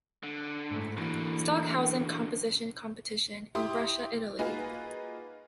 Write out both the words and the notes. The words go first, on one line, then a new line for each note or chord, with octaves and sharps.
Stockhausen Composition Competition in Brescia, Italy.
D3
G#2 A3
F#2 D3 E3 A#3
E4 G4 E5 C6 D#6
A#3 D#4 F4 F#4 G#4 B4